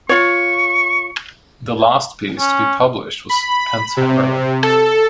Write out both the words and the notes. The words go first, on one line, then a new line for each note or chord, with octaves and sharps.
The last piece to be published was ""Pentameron"".
F4 C#5 C#6
C#4
B5
C3
A4